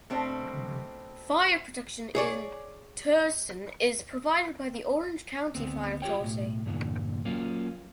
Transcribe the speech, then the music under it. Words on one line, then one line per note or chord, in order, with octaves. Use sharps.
Fire protection in Tustin is provided by the Orange County Fire Authority.
B2 A3 C4 D4
G#4 C#5 D5
D2 B3 C4
F4 G4 A#4 C#5 G5
B1 A2
E2 G2 A#2 D3
F#3 A#3 C#4 F4